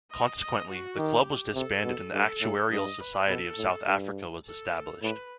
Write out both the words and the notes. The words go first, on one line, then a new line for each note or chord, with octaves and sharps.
Consequently, the Club was disbanded and the Actuarial Society of South Africa was established.
D#5
D#5
F#4
D#3 G4
C3 A4
B2
G2 A4
A2
G2 D#5
B4
B2 A4
A2
G2
A4
A2 B4